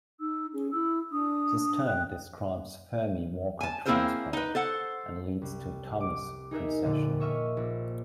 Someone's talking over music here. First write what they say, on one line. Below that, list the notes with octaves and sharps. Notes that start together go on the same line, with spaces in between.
This term describes Fermi-Walker transport and leads to Thomas precession.
D#4 E6
C#4 G#4
E4 E6
D4 D#6
G5 F#6
G#5 A5
A#3 C4 E4 G#4 A#4 C5
D#4 B4
A4 C5 F#5
C2
D6
D#4 G#4 A#4 E5
F2 A#2 D3
C#5 D#5 E5 C#6 E6 F6
A#1